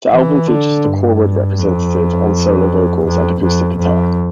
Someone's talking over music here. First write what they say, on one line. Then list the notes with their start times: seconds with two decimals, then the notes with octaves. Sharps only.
The album features the Corwood Representative on solo vocals and acoustic guitar.
0.10 E3
0.47 D3
0.84 G2
1.58 F2
3.05 F2
3.41 F2
3.78 F2